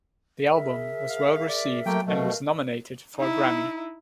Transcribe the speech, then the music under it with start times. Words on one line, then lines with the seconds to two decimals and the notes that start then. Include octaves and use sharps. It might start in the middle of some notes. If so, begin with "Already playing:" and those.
The album was well received and was nominated for a Grammy.
0.51 G#4 A#4 E5
1.10 F5
1.48 D5
1.86 F#3 A3 A#3 G5
2.07 B2 A3 A#4 F5
3.16 D#4 E4